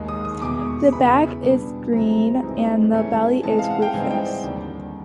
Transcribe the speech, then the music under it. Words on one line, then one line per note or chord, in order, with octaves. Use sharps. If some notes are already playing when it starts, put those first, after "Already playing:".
The back is green and the belly is rufous.
Already playing: D#2 D#3 G#3
D#6
D#6
E2 B2 G#3 D6
C#6
E2 C#3 E3 B5
B2 G3 B3 D4
C2 C3 F3 G#3 C4 A#5
G2 E3 G#3 C4 D#4
G#2 E3 A3 C#4
C3 E3 G#3 A5
F5
F#5
G5
G#2 E3 G3 C4 D#4 G#5
G5
D5
D#2 D3 G3